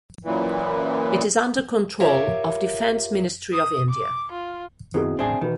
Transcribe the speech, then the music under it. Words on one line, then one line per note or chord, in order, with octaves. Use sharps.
It is under control of Defence Ministry of India.
F#2 A#2 E3
F4 G4 A#4 C#5 E5
D#6
D6
F4
F#2 B2 D#3 C4 E4 G#4
E1 A1 A2 C4 D4 G#4 E5
B2 D#3 E3 F#4 B4